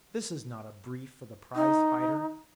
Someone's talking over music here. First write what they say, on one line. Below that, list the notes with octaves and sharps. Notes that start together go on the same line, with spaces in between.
This is not a brief for the prize-fighter.
D#4